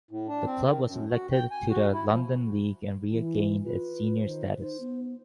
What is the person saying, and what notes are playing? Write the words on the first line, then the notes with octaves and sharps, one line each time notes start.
The club was elected to the London League and regained its senior status.
A2
D4
C4
D#3
F#2
F#4
G5
G#5
F#4
E4
F3
E3 E4
F4 B4
D#3 C5
D#4 C5
B3